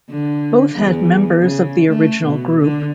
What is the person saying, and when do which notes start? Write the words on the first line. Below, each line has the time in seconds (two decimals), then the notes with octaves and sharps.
Both had members of the original group.
0.10 D3
0.75 E2
1.43 C#3
1.89 A3
2.24 B2
2.61 D3